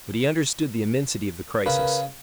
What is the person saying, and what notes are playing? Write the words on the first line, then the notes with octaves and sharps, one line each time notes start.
But he understood the immensity of the crisis.
C#3 A#4 B4 B5